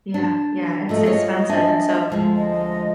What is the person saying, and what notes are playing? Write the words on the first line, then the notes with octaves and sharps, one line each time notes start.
Yeah, yeah it's expensive, and so
D4
F3 F#3 A3 D#5
F4 G#4 C#5
D4 E5 G#5
D2 F3 G#3
D#5